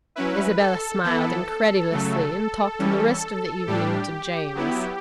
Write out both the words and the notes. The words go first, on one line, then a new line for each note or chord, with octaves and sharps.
Isabella smiled incredulously and talked the rest of the evening to James.
F#3 C#4 E4 B4
A4
E3 B3 E4 A4
C#3 F#3 A3
E3 G3 C#4
A2 G3 D4 G4
F#3 B3 E4